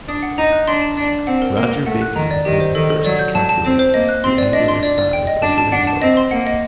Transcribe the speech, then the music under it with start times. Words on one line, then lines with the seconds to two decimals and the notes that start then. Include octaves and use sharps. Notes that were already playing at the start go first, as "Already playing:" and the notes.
Roger Bacon was the first to calculate the angular size of the rainbow.
0.08 D4 D#6
0.23 F#5
0.38 D#4 A#5
0.52 F#6
0.67 D4 C6
0.82 A5
0.97 D4 D5
1.12 D5
1.27 C4 F#5
1.42 A#4
1.57 A#3 A#4
1.72 A#4
1.86 A3 F#5
2.02 F#6
2.15 D#3 A#5
2.31 D5
2.45 D#3 G4
2.60 C5
2.75 D#3 A4
2.90 A4
3.05 F#3 D5
3.19 G6
3.34 F#3 A5
3.49 A5
3.65 C4 C5
3.79 C5
3.94 A#3 D#5
4.09 F#6
4.24 C4 C6
4.38 D5
4.53 D4 D#5
4.68 C6
4.83 D5
4.98 D5
5.13 G5
5.27 D#5
5.42 D4 A5
5.58 A5
5.72 D4 F#5
5.87 A5
6.02 C4 D#5
6.17 C6
6.31 A#3 F#5
6.47 D#5